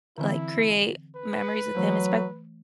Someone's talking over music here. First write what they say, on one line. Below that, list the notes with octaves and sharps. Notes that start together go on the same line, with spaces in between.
like create memories with him, espe
D3 E3 C4 E4
B4
E3 F#3 A3 C5